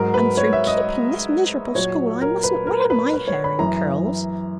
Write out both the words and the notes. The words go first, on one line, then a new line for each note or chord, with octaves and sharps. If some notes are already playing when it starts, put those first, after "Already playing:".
And through keeping this miserable school I mustn't wear my hair in curls!
Already playing: G#2 F#3 A#4
B4
C#5
E5
D#5
A#2 F#3 C#5
A#4
B4
A#4
B4
B4
C#5
B5
F#2 E3 A#5